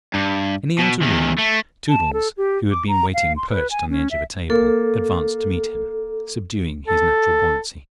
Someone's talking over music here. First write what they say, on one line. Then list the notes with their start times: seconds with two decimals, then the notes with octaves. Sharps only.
In the outer room Toodles, who had been waiting perched on the edge of a table, advanced to meet him, subduing his natural buoyancy.
0.14 G2
0.79 B2
1.01 E2 D#3
1.38 A3
1.89 A5
2.13 A4
2.37 G4
2.71 D6
2.88 A#5
3.14 F5
3.37 C6
3.50 B4
3.71 G#5
3.90 C#4
4.11 E5
4.50 A#3 A4
6.88 A4